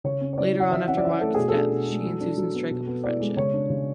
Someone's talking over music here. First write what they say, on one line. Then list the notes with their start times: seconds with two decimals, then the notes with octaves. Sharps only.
Later on after Mark's death, she and Susan strike up a friendship.
0.04 C#3 C#5
0.21 C#4
0.33 C#5
0.38 E4 D5
0.54 F#3
0.60 F#5
0.71 E3 E5
0.88 C#4 F#5
0.97 D5
1.04 E4 E5
1.21 A3 A4
1.34 B2 G#4
1.48 A4
1.54 D4
1.71 B2
1.88 G#3
2.04 F#3
2.21 D4
2.37 F#3
2.54 B3
2.71 B2
2.87 B3
3.04 E4 D5
3.20 G#3
3.37 C#3 C#5
3.53 D4
3.70 C#3